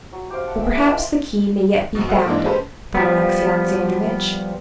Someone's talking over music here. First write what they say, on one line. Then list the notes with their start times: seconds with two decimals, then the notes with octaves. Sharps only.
"But perhaps the key may yet be found," thought Alexey Alexandrovitch.
0.12 F#3
0.30 G4 C5 F5
0.47 F#5 A5
0.59 G#4 E5 G5 E6
0.75 D4 E4 B4 A#5
0.87 F4 D#5 F5 G5
1.95 F#2 B2
2.09 A4 A#4 C5 F#5
2.26 G#2 E3 A#3 D4 D#4
2.44 G#3 C#4 G4 A4 B4 C5
2.95 F3 G3 B3